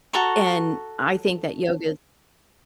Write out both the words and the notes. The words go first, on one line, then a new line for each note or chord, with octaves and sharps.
and I think that yoga
F#4 A4 A#5 C#6